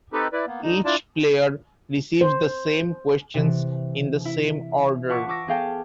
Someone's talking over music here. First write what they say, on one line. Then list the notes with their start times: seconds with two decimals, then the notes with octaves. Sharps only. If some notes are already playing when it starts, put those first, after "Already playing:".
Each player receives the same questions in the same order.
0.13 C4 D#4 G4 A4 B4
0.33 E4 B4 D5
0.47 A#3 B3
0.63 D3 D#4
0.85 D4 E4 F4 D5 A5
2.21 C5
3.34 C3 E3
4.25 E4
5.09 F4 B4 F#5 A5 C#6 D6
5.29 C#6 D6 E6 A#6
5.48 B3 G#4 A4 F5 G5 A5